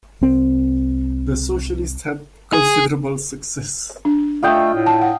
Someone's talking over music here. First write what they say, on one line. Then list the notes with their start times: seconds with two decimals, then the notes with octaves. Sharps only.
The Socialists had considerable success.
0.21 C2 C4
2.53 G#4
4.05 D4
4.43 A3 F4 D#5 G5
4.74 A2
4.86 A5
5.01 F#5